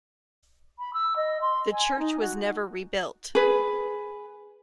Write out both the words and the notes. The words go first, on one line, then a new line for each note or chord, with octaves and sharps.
The church was never rebuilt.
B5
E6
D#5
C6
G#5
D#4
F#4
G#4 B4